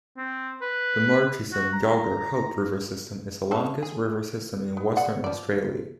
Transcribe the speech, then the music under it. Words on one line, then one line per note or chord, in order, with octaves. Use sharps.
The Murchison-Yalgar-Hope river system is the longest river system in Western Australia.
C4
B4
F#4
A#5
C#3 F#3 A4
G#4
B3
G#4 D5 F#5
F3 D5